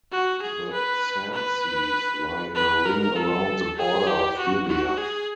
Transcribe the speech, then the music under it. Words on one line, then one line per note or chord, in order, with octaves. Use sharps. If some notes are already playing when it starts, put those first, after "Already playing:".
The sand seas lie in a ring around the border of Libya.
F#4
G#4
B4
B4
B4
A#4
A4
G#4
G4
F#4
F#4
G#4